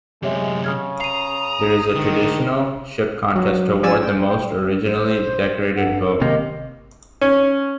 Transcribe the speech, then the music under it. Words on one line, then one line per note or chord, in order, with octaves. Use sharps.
There is a traditional ship contest to award the most originally decorated boat.
F#2 C3 G#3 G4 C#5 E5
C#3 D#6 F6 G#6
A#5 D#6 C7 D#7
D3 D#3
F#3
F3 C#4 D5 G#5 E6 E7
G5
C5
G2 A4 F#5
A#4
C3 D#3 A#3 G4 D#5
C#4